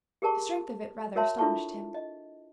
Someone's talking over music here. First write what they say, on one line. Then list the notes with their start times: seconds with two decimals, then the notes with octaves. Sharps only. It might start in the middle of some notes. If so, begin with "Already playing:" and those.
The strength of it rather astonished him.
0.22 G4 G#4 A#4 A5 C#6
1.16 F#4 A#4 C#5 E5 A5 C6
1.38 D4 E4 F4 A4 A5 C#6
1.94 D#5